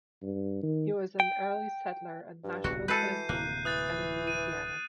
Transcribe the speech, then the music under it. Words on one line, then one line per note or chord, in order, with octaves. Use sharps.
He was an early settler at Nashville, Tennessee and in Louisiana.
G2
D#3
G5
G2
D1 B1 C3 F#4
E3 G#3 A4 B4 G6 C7 D#7
D1 C3 A#3 F#6
E3 D#6 F#6 A6
D#7